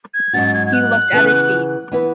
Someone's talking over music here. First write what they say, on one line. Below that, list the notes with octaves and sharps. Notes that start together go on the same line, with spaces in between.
He looked at his feet.
G#6
G#2 F#3 C#4 F#4 A6
G#6
G#6
F#6
C#3 E3 B3 E4 G#4
E3 B3 E4 B4